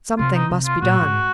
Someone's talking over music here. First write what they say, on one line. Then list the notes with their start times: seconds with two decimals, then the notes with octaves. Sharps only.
Something must be done.
0.18 C3 F4
0.35 D#4
0.50 C3
0.65 F4
0.82 A#2 F#4
1.02 G#2